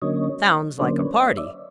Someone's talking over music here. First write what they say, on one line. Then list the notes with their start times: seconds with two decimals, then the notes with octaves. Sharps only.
"Sounds like a party."
0.02 D3 F#3 A#3 C#4 C#5 D#5
0.79 D3 F#3 A#3 C#4 C5 D5
0.98 B4 C#5
1.18 C#5 D#5
1.37 D5 E5